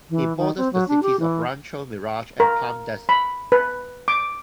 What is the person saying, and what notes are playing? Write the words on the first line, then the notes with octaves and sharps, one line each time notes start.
It borders the cities of Rancho Mirage and Palm Desert.
E3
D#3
C4
F#3
D4
G4
E3
A#4
B5
B4
D6